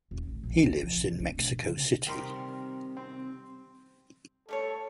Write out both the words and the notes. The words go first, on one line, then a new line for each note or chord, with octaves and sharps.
He lives in Mexico City.
D#1
A1
A#1
D#2
F3
C3
D4
B2
C#3
C3 D#3 G3 G4 A#4 C6
C4
G3 A3 A4 C#5